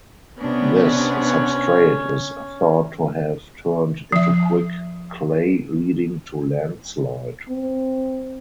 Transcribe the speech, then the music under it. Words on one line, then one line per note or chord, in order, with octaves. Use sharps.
This substrate is thought to have turned into quick clay leading to landslide.
C3 B3 C#4 D4
F3 E5
C4